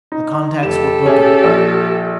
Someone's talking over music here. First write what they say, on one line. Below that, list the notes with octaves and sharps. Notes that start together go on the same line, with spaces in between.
The contacts were broken.
D#4
F1 G4 A4 E7
C#4 G#4 E5
A#1 D5